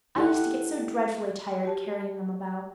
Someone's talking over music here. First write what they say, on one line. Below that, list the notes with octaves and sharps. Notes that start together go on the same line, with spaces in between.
I used to get so dreadfully tired carrying them about.
E4 G4 A4 F#5
F#4 G4 A5